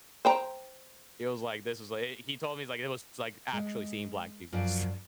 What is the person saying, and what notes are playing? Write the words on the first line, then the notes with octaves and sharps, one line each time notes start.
He was like, "This is like" he he told me, he's like, "It was like actually seeing Black Jesus."
C5 G5 A#5
G#3
F#2 F3 F4 D5